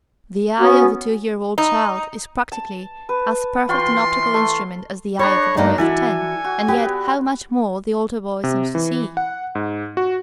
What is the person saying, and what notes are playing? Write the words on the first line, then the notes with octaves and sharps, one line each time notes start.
The eye of a two-year-old child is practically as perfect an optical instrument as the eye of a boy of ten, and yet how much more the older boy seems to see.
B3 C#4 F#4
D#4
A5
B4
E3 F4 G5 C6 C#6
A3
D4 A4 C#5 A#5 B5
G2 A3 A#3 D#4
E3 E4 F#4 A4 G#5
F#4
B3 G4
C3
E3
F#5
G#2
F#4